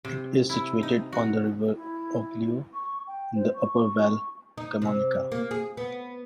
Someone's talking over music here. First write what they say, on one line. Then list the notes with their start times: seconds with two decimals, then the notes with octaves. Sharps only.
It is situated on the river Oglio, in the upper Val Camonica.
0.05 C3
0.50 E4
0.83 D#4
1.12 F#4
1.74 E4
2.15 E4
2.73 C#6
3.07 G5
3.35 C5
3.54 C#6
4.58 D#4
4.82 C3
5.32 A#3
5.51 G#4
5.77 B3